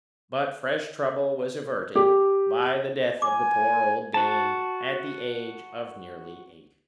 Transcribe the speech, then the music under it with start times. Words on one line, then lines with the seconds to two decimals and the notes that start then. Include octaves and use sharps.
But fresh trouble was averted by the death of the poor old dame at the age of nearly eighty.
1.96 G4
3.22 G#5 D6
4.14 F#4 A5